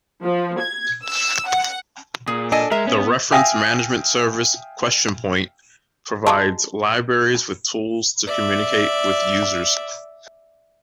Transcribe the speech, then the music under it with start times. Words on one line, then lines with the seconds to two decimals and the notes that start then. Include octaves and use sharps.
The reference management service QuestionPoint provides libraries with tools to communicate with users.
0.23 F3
0.60 G#6
1.04 E6
1.47 F#5
2.27 A#2 G#4
2.52 D4 A4 D#5 G#5
2.72 G#3 A#4 E5
2.87 B3 C#4
3.32 E5 F5 G5 G#5 D#6 A#6
6.27 F#3 G#3 D4
8.27 D5 E5